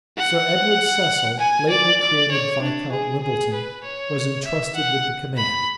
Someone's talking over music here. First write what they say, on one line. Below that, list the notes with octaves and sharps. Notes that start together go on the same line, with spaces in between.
Sir Edward Cecil, lately created Viscount Wimbleton, was intrusted with the command.
F#5
G#5
D5
D5
C#5
D4
G#4
G#4
B4
C#5
E5
F#5
B5